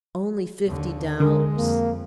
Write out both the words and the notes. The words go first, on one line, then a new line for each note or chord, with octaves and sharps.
"Only fifty dollars."
D#2 D3
D3 G#3 A#4
F2 A#3